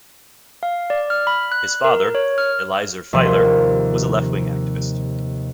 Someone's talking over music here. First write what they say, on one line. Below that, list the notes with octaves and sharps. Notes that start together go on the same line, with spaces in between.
His father, Eliezer Feiler, was a left-wing activist.
F5
D5
F6
B5
F#6
A#4
C#5
F6
D#2 C3 F3